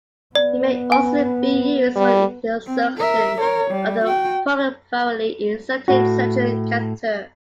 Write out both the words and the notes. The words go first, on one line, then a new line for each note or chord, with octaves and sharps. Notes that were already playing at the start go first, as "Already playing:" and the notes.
It may also be used for the insertion of a peripherally inserted central catheter.
B3 D5
G#5
G3
C4
A#4 E5
A#4 C#5
G3
F#4 G5
A2 F#4